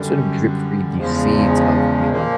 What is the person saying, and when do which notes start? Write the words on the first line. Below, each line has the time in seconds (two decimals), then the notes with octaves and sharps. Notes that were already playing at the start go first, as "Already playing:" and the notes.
sort of drip-feed these seeds of, you know,
Already playing: F#2 D3 G3
0.96 E2 C#3 F3 G#3
2.09 A#2 F3 A#3